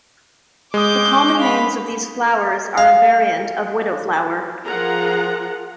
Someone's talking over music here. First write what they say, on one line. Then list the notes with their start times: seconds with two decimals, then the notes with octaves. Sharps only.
The common names of these flowers are a variant of widow flower.
0.74 G#3 D6 D#6 G6
1.38 F5 B5
2.78 F5
4.66 F3 F4 G#4 A#4 F#5 A#5